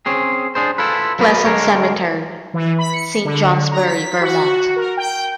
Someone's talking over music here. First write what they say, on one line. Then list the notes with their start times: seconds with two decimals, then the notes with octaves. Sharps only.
Pleasant Cemetery, Saint Johnsbury, Vermont.
0.06 C4 C#4 G#4
0.55 D4 G#4 C5
0.78 E4 F4 A4 B4
1.19 F#3 A#3 B3 B4 D5 D#5
1.45 D3 G#3 A#4 C#5
2.54 E3
2.79 B5
2.93 C#7
3.25 D3
3.72 A#5
3.84 B6
4.21 F#4
4.76 A#4
4.97 G5